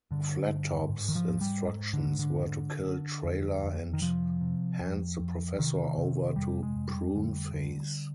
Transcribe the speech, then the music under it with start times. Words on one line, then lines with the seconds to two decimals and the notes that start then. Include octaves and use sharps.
Flattop's instructions were to kill Trailer and hand the Professor over to Pruneface.
0.11 G2 D3
0.50 G2
0.89 G#2
1.09 D#3
1.16 F3
1.29 G#2
1.41 G3
1.68 G#2
1.93 D3
2.06 G#2
2.19 D3
2.46 D3
2.85 D3
3.24 F2
3.63 F2
3.93 D#3
4.02 C3 F3
4.41 C3
4.81 F2
5.20 F2
5.58 C3 D#3
5.98 C3
6.36 F2 G3
6.63 G#3
6.76 F2
6.89 G3
7.15 D3
7.53 D3